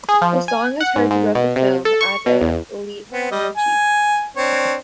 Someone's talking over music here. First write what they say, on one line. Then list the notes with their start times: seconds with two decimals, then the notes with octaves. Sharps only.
The song is heard throughout the film as a leitmotif.
0.09 G#4
0.22 F3
0.48 G#5
0.81 F#5
0.96 G#2
1.11 G#2
1.35 B2
1.56 C3
1.85 A4
2.01 C#6
2.26 B2
2.41 E2
3.12 B3 C4
3.31 G3 D#5
3.57 G#5
4.36 C4 D4 C#5